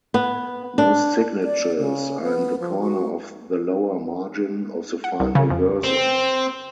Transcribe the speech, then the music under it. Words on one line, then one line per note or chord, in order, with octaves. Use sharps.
Most signatures are in the corner of the lower margin of the final verso.
B3
D4
D5
C#3
B3
F3
F#4
F#5
C2
C#3
F2
C4